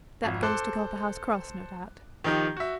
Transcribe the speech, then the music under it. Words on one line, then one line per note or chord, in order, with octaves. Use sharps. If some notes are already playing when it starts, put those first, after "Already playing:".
That goes to Copperhouse Cross, no doubt.
G#1 F2
A4 C5 C6 D6 F#6
D#3 F3 D#4 G4 G6
F#4 E5